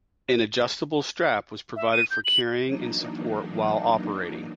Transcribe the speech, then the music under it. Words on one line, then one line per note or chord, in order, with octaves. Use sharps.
An adjustable strap was provided for carrying and support while operating.
E5
D#7
G6
F#7
E3 F#3 A#3 D4 D#4